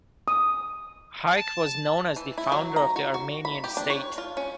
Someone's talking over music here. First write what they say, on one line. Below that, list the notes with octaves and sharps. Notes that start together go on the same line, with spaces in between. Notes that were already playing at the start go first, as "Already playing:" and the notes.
Hayk was known as the founder of the Armenian state.
D#6
A5
E3
E4
F#3
A#5
F#4
F#4
B5
G4
D4
C#5
F4
C#4